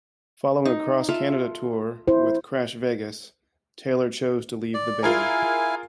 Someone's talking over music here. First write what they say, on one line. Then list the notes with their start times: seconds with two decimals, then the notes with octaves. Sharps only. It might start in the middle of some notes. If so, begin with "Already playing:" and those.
Following a cross-Canada tour with Crash Vegas, Taylor chose to leave the band.
0.65 D#4
1.09 F4 A4 E5
2.08 E4 C5
4.74 D5
5.03 E4 F4 G#4 A#4 F5 G#5